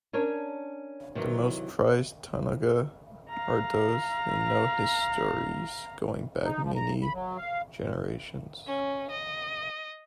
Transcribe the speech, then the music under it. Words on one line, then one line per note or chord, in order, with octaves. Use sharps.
The most prized taonga are those with known histories going back many generations.
C#4 D4 A#4 C#5
C3 D#3 E3 F#3
F5 A#5
D#4
F3
A#5
B5
F#3
F5
C#4
D#5